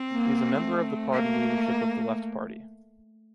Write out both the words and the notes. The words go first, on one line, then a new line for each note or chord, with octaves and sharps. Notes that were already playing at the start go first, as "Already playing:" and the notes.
He is a member of the party leadership of the Left party.
Already playing: C4
A#3
A3
A#3